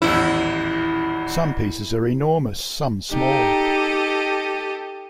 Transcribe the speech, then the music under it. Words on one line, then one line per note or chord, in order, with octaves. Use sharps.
Some pieces are enormous, some small.
D#1 A1 E2 E4
D#4 G4 A4 D#5